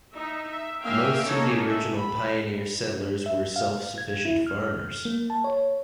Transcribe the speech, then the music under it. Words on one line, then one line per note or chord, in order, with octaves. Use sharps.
Most of the original pioneer settlers were self-sufficient farmers.
D#4 E5
E5
A#3 C#4 E5 F5 G5
A#3 C#4 D#4 A4 C#5
A4 E5
B5
E5
F5
G#6
E4
F6
A#3
A5
C#5